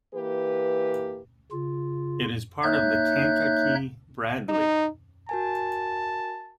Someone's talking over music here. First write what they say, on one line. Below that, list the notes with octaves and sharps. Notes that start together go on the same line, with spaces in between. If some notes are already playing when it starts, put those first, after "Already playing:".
It is part of the Kankakee-Bradley.
E3 A#3 G4 B4
C#3 F4
A#3 D#4 C#5 E5 F#6 G6
D#4
F#4 A#4 G#5 A5